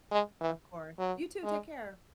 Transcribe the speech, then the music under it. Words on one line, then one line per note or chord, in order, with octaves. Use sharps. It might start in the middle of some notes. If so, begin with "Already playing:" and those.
Of course. You too. Take care.
G#3
E3
F#3
G#3